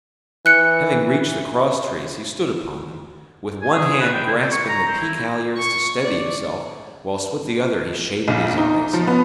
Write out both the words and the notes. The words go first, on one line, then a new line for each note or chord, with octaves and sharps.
Having reached the cross- trees, he stood upon them, with one hand grasping the peak-halliards to steady himself, whilst with the other he shaded his eyes.
E3 F#6 C#7
G#5
G#4
B4
G5
E4
C#6
A#5
C4
E4
C#6
D5
A#1
D#4
F3
B3